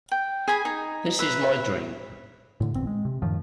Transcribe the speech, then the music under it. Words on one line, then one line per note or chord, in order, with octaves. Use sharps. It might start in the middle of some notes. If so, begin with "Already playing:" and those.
This is my dream.
G5
G#4 G#5 B5
D#4
B4 E5
A2 D3
G#1 E2 C4
G#3
C3
F#2 A2 D#3 F3